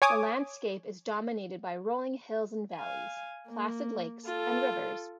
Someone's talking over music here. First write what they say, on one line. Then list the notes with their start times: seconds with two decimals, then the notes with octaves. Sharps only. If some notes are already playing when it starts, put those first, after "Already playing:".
The landscape is dominated by rolling hills and valleys, placid lakes and rivers.
0.02 C#5 G#5 D6 D#6
2.74 F5 G#5
3.48 A#3
4.27 F4 A4